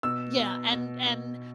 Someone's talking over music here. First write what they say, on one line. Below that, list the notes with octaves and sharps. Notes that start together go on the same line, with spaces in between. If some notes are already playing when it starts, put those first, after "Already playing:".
Yeah, and and,
B2 E6
B2
B2
B2